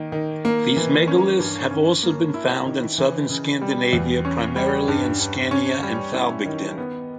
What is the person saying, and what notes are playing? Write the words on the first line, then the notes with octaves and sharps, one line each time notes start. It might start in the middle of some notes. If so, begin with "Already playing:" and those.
These megaliths have also been found in southern Scandinavia, primarily in Scania and Falbygden.
Already playing: D#3 A#3
D#3
A#3
E3
C#4
G2
C#4
A#3
E4
D#3
E3
C#3
G3
E2
C#4
G3
G2
G2
C#4
G3
E4
D#3
B3